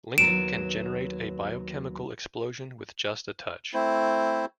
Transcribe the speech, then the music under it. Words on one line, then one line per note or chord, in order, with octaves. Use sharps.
Lincoln can generate a biochemical explosion with just a touch.
D#2 F#3 B3 D7 E7
A3 C4 E4 C5